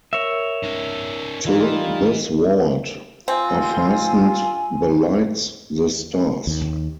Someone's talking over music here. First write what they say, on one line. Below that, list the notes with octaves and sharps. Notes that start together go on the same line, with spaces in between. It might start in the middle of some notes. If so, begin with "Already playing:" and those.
To this vault are fastened the lights, the stars.
A#4 C#5 E5
C#4 D#4
E3 G3 D#4 F4
C4 F4 G#5
D#2